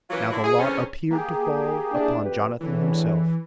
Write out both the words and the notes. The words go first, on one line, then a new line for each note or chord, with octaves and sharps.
Now the lot appeared to fall upon Jonathan himself.
E3 F#3 A#3 C#4 F4 B4
D3 F#3 C#4 E4
G#4
E2 D3 C4 C#4
A#3 G4 G#4
D4 E4
F2 G4 B4
E2 A2 D3 E3